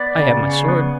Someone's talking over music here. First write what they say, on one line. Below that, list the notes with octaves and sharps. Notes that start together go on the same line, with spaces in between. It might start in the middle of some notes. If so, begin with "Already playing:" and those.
"I have my sword."
Already playing: B3 D5
C#3
C#3
B3